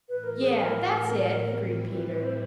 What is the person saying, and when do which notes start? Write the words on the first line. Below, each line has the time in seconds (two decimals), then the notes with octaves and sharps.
"Yes, that's it," agreed Peter.
0.08 A2 E3 A3 B4
0.24 A#4
0.40 G#4
0.55 A#4
1.32 A2 E3 G3 C4 E4
1.93 B4
2.09 B4
2.24 C5